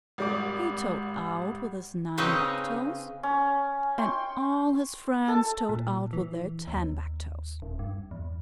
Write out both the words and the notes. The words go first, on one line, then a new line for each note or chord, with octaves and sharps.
He toed out with his nine back toes, and all his friends toed out with their ten back toes.
G#1 G3 D6
C#3 C4 C#4 D#4 B4
C#4
G5 C6 C#6
A4 A5
A#2
E3
D#2
D#1
G2
E2